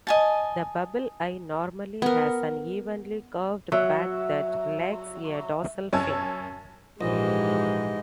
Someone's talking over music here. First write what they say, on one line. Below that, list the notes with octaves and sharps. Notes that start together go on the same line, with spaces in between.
The Bubble Eye normally has an evenly curved back that lacks a dorsal fin.
D#5 G#5 A5
B3 A#4
F#3 E5 F#5
F#2 C#5 G#5 A5 E6 G#6
A#1 G#2 E3 G#3 G4 D#5